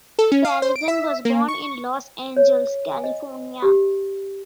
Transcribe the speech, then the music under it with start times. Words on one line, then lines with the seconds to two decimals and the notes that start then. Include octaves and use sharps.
Frazen was born in Los Angeles, California.
0.19 A4
0.32 C#4
0.45 F5
0.62 C5
0.76 D7
0.88 E5
1.25 A#3
1.48 C#6
2.37 C#5
2.92 G#5
3.04 D#5
3.62 G4